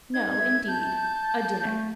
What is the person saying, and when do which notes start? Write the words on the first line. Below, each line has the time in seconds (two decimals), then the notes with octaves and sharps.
No, indeed--a dinner.
0.14 D#4 G#6
0.40 E5
0.68 A5 G6
1.65 A3